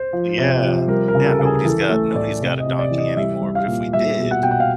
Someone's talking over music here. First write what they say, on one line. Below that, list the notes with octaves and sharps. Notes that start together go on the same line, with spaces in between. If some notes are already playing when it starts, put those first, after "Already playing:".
Yeah, now nobody's got nobody's got a donkey anymore, but if we did
Already playing: C5
F3
C3
F3
G3 A#4
A#4
C#3
A4
C#3
G#4
E3 A4
A3 A4
A2 D5
C3
D#5
C3
D5
E3
D#5
G3 E5
G3
F5
A#2
G3 E5
B2
F#5
B2 G5
F#5
F5